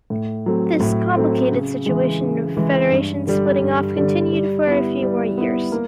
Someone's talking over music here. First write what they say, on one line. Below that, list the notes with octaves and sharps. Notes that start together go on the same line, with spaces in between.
This complicated situation of federations splitting off continued for a few more years.
A2
F#3 A3 C4
A2
F#3 A3 C4
C#3
E3 G#3
C#3
E3 G#3
G2
D3 G3
G2
D3 G3
G3
B3 E4
G3
B3 E4
A#3